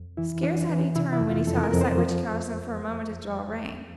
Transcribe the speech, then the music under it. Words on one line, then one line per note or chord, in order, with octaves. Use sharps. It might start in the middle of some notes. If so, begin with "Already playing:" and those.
Scarce had he turned when he saw a sight which caused him for a moment to draw rein.
Already playing: F2
E3 E4
E3 D4
E3
C3 E4
E4
F2
F4
F2 A4
A#4
F2
C5
F3